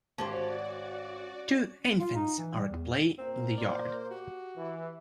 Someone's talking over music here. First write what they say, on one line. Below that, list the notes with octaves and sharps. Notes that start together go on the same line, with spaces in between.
Two infants are at play in the yard.
G#1 C#4 F#4 G4 C5 D5 A5
F4
D#4
E3
G3
E2
A#2 A#3 C4
C5 D5
F#4 G4
E3